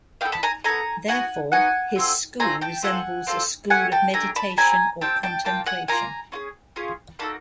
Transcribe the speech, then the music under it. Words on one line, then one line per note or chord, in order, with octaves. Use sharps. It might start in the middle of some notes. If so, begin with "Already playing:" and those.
Therefore, his school resembles a school of meditation or contemplation.
B3 E4 A4 F5 G5
A5 B5
G#5 A#5
B3 E4 A4 G#5 A#5
B3 D#4 F#4 F#5 G#5
B3 D#4 F#4 F#5 G#5
A3 C4 F4 A4
A3 C4 F4 A4 G#5 A#5
G5 A5
C4 F4 A4 F#5 G#5
C4 F4 A4
A3 D4 G4 F#5 G#5
G5 A5
A3 D4 G4 G#5 A#5
A5 B5
C4 E4 G4 G#5 A#5
C4 E4 G4 G5 A5
G5 A5
A#3 D4 F4 G5 A5
F#5 G#5
A#3 D4 F4 G#5 A#5
C#4 F4 G#4
C#4 F4 G#4
A#3 D#4 F#4 A4 A5 B5